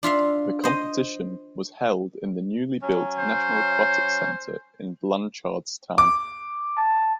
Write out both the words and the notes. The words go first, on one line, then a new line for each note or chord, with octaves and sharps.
The competition was held in the newly built National Aquatic Centre in Blanchardstown.
D4 F4 E5 F5
C5 D#5
F#3 C#4
C5
D6
A5